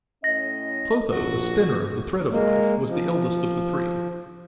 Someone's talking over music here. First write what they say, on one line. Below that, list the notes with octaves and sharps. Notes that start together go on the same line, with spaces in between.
Clotho, the spinner of the thread of life, was the eldest of the three.
A2 C#4 D#5 A#6
A#1 F#4
G#3 A#3
F3